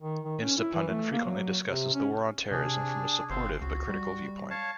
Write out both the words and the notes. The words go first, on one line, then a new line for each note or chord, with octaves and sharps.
Instapundit frequently discusses the War on Terrorism from a supportive-but-critical viewpoint.
D#3
D#3
C#4
E4
E3
A3
A#3
F#3
C3
C#4
C3 D4 G#4
G1 C4 C5 F5
C#2 F#4
G3
C#5 F5 A5